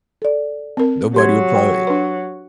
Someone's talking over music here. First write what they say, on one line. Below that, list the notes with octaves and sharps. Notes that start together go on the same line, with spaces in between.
Nobody will probably
A4 D5
C4 A#4
F#3 G4 C6 G#6
G5
D4 B4